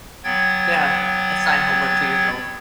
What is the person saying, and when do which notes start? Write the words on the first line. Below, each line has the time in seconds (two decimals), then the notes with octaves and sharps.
Yeah. Assign homework to yourself.
0.24 F#3 B3 G5 G#6 A6